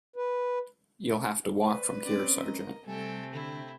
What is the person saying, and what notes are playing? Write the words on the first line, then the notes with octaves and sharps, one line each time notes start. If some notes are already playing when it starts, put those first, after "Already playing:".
You'll have to walk from here, sergeant.
B4
B4 C5 D5
C4 C#4 D5
A#4 D#5
C3 G3 A3 A4 G5 G#5
D3 E4 G5